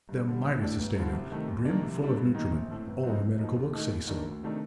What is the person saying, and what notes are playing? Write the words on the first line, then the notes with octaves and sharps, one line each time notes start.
They're, mighty sustaining--brim full of nutriment--all the medical books say so.
G2
D3 G3
A#1
A2 A3 D4
G1
G2 D3 F3
C2
C3 D#3 A3
D#2
D#3 A#3 D4
C2
C3 G3 D4
G2
D#3 A#3 D#4
A#1
A2 A3 C4
G1
G2 F3 C4 D#4
A2
F3 A#3 D#4
D#2
D#3 A3 D#4
D#2
D#3 A#3 D4
D2
C3 D#3 A3 D4